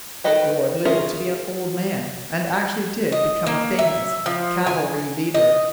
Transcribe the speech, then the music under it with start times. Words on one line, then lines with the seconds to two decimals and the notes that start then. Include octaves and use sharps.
Warde lived to be an old man and actually did become a famous cavalry leader.
0.24 D#3 A4 B4 D#5 G5
0.85 C#4 F4 G#4 A#4 E5
3.12 D#5
3.47 A#3
3.79 E5
4.26 F3
4.67 G#5
5.34 D#5